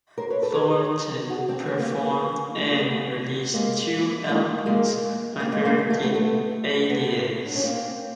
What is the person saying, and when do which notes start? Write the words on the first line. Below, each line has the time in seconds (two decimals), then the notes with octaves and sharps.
Thornton performed and released two albums under the alias.
0.18 A#4 C5
0.30 B4 C#5
0.43 A4 B4
0.55 G#4 A#4
1.30 F#4 G#4
1.48 C4 D4
1.66 B3 C#4
1.79 A#3 C4
1.92 B3 C#4
2.04 A#3 C4
2.61 A3
2.70 A#3
2.79 A3 B3
3.53 G#3 A#3
4.29 G#3 A#3
4.66 G#3 A#3
5.40 A#3 C4
5.52 G#3 A#3
5.65 G#3 A#3
5.78 A3
5.90 A3
6.02 A3 B3
6.15 A3 B3
6.90 A3 B3
7.46 D4
7.55 C#4
7.64 A#3 C4